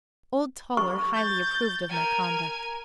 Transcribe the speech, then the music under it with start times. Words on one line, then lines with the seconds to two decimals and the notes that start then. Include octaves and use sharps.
Old Toller highly approved of my conduct.
0.77 C#6
1.13 G6 A6
1.89 A#4 G#5